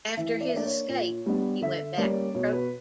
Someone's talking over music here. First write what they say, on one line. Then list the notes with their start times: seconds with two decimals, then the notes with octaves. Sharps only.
After his escape he went back to Croton.
0.17 E3 E5
0.41 D5
0.48 E5
0.54 A#3 D4 D5
0.65 C#5
0.89 A#2
1.26 G3 B3 D4
1.61 D3 E5
1.98 G3 A#3 C#4 D5
2.34 B2 C#5
2.53 B4